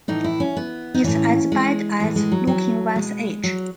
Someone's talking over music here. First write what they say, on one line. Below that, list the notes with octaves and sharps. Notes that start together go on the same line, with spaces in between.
It's as bad as looking one's age.
A2 E3 D#4
E4
C#4
B3
D#4
A2 E3 C#4
G#3
A2 E3 G#3
G#3
F#3
F#3
B2 G#3
F#3